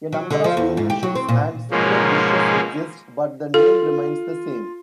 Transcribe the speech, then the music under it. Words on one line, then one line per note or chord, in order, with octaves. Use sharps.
A number of variations and similar dishes exist, but the name remains the same.
F#3
D3
F3
E2
G#2
G4
F#3
C4
A#2
G#2 B2 F3 G#3 A#3 C#4
F4 A4